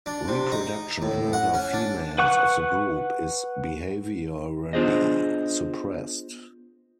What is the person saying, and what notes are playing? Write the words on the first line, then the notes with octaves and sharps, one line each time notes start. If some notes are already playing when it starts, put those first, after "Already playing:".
Reproduction in other females of the group is behaviorally suppressed.
D4
C3
D#4
A2
F#5
C#4
D4
B4 F#5 C#6 F#6
B3 D4 F4 G#4 C5 D#5